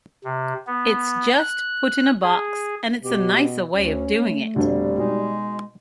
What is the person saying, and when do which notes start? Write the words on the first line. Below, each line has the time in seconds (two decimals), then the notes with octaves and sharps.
It's just put in a box and it's a nicer way of doing it.
0.24 C3
0.67 B3
1.38 F#6
2.22 G#4
3.04 B2 G4
3.75 D2 C#4
4.14 A3
4.56 F1 B2 D3 G3
4.98 B2 G#3 D#4